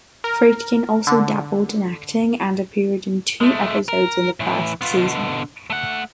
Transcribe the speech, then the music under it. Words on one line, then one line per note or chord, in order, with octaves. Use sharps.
Friedkin also dabbled in acting and appeared in two episodes in the first season.
A#4
D3
G#3 A3
A#4
A2 E3
B3 F4
B2 D3
A3 F#5